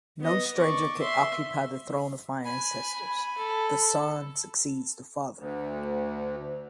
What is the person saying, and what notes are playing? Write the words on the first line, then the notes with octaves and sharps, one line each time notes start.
No stranger can occupy the throne of my ancestors: the son succeeds the father.
B3 D#5
D5 C#6
E5 C6
G#5 B5
A4
D2